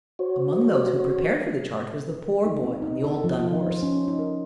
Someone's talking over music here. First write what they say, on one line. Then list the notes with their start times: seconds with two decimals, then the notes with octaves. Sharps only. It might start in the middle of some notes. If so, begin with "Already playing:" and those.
Among those who prepared for the charge was the poor boy on the old dun horse.
0.19 F#4 C5 C#5
2.46 D#4
2.64 C4
2.82 D#4
3.04 A4
3.24 F3
3.39 F4
3.55 D#4
3.70 C5
3.82 C#4
4.08 D#4
4.19 A#4